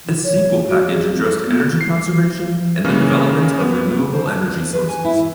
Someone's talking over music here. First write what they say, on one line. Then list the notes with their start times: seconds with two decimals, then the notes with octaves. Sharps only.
This sequel package addressed energy conservation and development of renewable energy sources.
0.24 C#5
0.69 F#4
0.87 G#4
1.10 C4
1.22 A4
1.45 B3
1.81 C7
2.85 C#3 E3 G#3 A#3 C#4
3.60 B3
4.13 C5
4.26 A5
4.43 D2
4.56 D4
4.73 B4
4.89 G#5
5.05 E4
5.19 E3